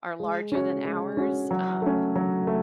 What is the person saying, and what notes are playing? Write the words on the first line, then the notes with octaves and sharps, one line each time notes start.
are larger than ours, um,
G#3
C#4 F#4 C#5
G#3
C#4 F#4 C#5
F#3
A3 C#4
F#3
A3